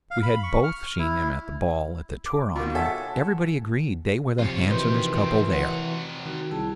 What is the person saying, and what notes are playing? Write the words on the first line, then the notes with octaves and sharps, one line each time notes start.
We had both seen them at the ball at the Turon, and everybody agreed they were the handsomest couple there.
F5
B5
C#6
F6
E4
D6
B2 D#3 F4 F#4
A4 C#5 E5 F#5 G#5 A5
C3 F3 F4 C#5
E3 D#4 F#4 G4 A#4 C6
C#3 C4
C3 C#5 F#5
D#3 F#4
C2 E4 G#4 A5